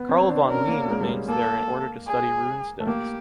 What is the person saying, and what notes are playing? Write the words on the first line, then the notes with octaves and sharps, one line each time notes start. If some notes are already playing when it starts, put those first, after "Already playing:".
Carl Von Line remains there in order to study runestones.
Already playing: B3
C4 C#5
D4
C#4 A#4
A#3
G#3
G3
G#3
A#3 A4
G#4
A3
A#3 G4